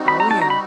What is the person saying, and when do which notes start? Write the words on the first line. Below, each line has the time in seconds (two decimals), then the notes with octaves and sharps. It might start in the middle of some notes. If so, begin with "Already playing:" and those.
Oh, yeah.
Already playing: G3 C4 D#4 F#4
0.08 B5
0.20 A#5
0.31 A5
0.42 A#5
0.50 B5